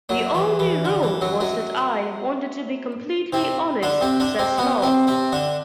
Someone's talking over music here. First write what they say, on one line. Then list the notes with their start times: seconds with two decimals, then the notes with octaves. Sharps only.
"The only rule was that I wanted to be completely honest," says Love.
0.09 F#2 F#3
0.34 E3
0.59 E3
0.85 D3
1.03 E3
1.21 F#2 F#3
1.40 F#2 F#3
3.33 C3 C4
3.83 D3 D4
4.01 C3 C4
4.20 D3 D4
4.39 C3 C4
4.58 B2 B3
4.82 C3 C4
5.07 C3 C4
5.32 D3 D4